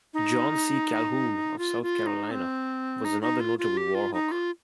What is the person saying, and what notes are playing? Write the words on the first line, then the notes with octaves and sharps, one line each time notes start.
John C. Calhoun of South Carolina was another notable War Hawk.
D#4
F4
F4
D#4
C4
D#4
D#4
F4
F4
G4
F4
D#4
F4